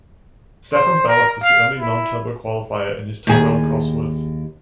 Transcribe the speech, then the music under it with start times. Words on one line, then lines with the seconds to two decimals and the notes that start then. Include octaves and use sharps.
Stefan Bellof was the only non-turbo qualifier in his Tyrrell-Cosworth.
0.73 C5
1.07 A#4
1.43 F5
1.78 E4
3.27 D#2 G#4